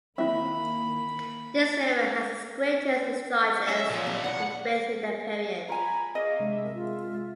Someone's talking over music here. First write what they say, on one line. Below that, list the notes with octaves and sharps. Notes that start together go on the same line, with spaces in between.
This river had its greatest discharges and width in that period.
D#3 A#3 C4 E4 E5 B5
F#3 C#4 A4 E5
A#2 F3
F#2 G3 C4
C2 A2 D4 F#5
F4 G#5 A#5 B5 G#6
G#4 D#5 F5 C#6 D6
C3 G#3 D4 E5
A#4
F4